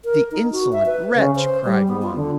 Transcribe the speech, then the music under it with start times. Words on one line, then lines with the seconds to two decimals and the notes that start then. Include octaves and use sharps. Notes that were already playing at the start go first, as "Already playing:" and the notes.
"The insolent wretch!" cried one.
0.05 A#4
0.32 D#4
0.52 F#4
0.72 E5
0.86 B4
1.15 C#3
1.36 C5
1.65 G3
1.88 B3
2.02 F4
2.16 D3